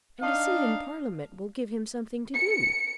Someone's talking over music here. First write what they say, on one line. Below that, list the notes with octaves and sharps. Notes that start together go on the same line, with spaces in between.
"And a seat in Parliament will give him something to do."
D4 D#4 F5
C#7